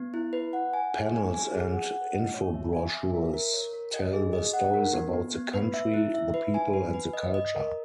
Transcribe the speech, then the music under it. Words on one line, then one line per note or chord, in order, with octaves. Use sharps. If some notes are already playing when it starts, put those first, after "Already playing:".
Panels and infobrochures tell the stories about the country, the people and the culture.
Already playing: B3
E4
B4
F#5
G#5
G#4
G#5
G#5
G#4
F#5
F#5
D#5
C#5
E5
G#5
E5
A#4
A#4
C#5
A#4
D#5
G#4
D#5
F#5
A#4
B3
B3
B3
B4
E5
E4
E5
B4
G#5
B4
B4
D#5
D#5
A#4